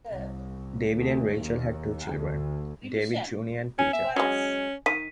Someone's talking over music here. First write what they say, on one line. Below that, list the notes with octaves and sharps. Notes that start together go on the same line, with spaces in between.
David and Rachael had two children, David Junior and Peter.
C2
D2
D#2
D2
C#4 G#5
E5
F#3 G#3 C#4
D#3 B6 D#7